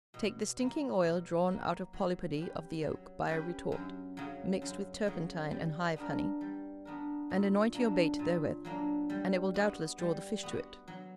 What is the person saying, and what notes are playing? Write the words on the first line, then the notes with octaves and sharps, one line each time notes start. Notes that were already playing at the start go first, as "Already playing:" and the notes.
"Take the stinking oil drawn out of polypody of the oak by a retort, mixed with turpentine and hive-honey, and anoint your bait therewith, and it will doubtless draw the fish to it."
B2
F#3 A#3
B2
F#3 A#3
F#3
C#4 G4 B4
F#3
C#4 G4 B4
F#2
C#3 F#3
F#2
C#3 F#3
G3
B3 D4 A#4
G3
B3 D4 A#4
A#2
F#3 A#3 D4
A#2
F#3 A#3 D4
G3
B3 F#4
G3
B3 F#4
F#3